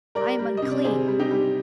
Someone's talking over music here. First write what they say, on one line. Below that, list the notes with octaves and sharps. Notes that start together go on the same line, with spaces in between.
I am unclean!
G3 A#4 D5
G3
C3 D#5
D5
C3 G#4 C5
G3
D#4 G4
G3